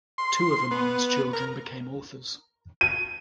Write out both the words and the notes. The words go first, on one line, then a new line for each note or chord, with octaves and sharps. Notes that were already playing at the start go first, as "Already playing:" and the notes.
Two of Oman's children became authors.
C6
B3
A#4
D#7